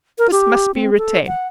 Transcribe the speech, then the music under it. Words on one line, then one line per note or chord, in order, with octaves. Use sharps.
This must be retained.
A#4
G4
C4
A4
F#5